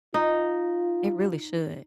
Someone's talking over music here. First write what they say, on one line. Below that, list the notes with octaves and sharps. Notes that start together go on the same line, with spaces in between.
It really should.
D#4 F4